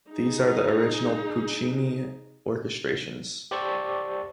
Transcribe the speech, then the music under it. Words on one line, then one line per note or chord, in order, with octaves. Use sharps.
These are the original Puccini orchestrations.
D#4 G#4
G4 C5 D5 A5 C#6 E6